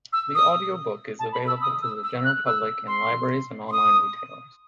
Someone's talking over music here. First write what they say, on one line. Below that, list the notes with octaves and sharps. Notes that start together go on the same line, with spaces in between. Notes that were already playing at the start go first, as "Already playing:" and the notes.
The audio book is available to the general public in libraries and online retailers.
E6
D#6
A5
B5
E6
D#6
E6
E6
F#6
E6
C6
C6
D#6